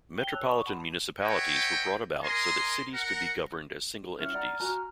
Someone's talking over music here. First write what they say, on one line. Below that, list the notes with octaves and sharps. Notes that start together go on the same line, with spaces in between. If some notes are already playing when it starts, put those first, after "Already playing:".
Metropolitan municipalities were brought about so that cities could be governed as single entities.
G5 G7
C#5 A5 E6 F#6 F7
D5 D#5 A5 C6 C#6 D#6
F#5 A5 B5 C6
B4 C#5 D#5 E5 F#5 G5
A#4 D#5 G#5 A#5 C6
A#4 F#5 A#5
C#4 E4 F#5 F6
D5 F#5 A#5
F#4 G#5 A#5